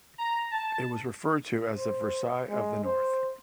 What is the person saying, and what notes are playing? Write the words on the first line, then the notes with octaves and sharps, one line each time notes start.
It was referred to as "The Versailles of the North".
A#5
A5
C5
G#3
C5